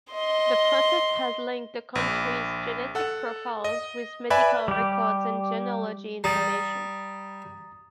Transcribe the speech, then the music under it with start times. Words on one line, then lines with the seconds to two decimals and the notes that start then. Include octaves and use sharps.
The process has linked the country's genetics profiles with medical records and genealogy information.
0.11 D#5 C6
1.95 A#1
2.95 A4 F#5
3.64 D#5
4.30 B4 D5 E5 G#5 B5
4.68 G3 G4
6.24 G3 A#5 D#6 A6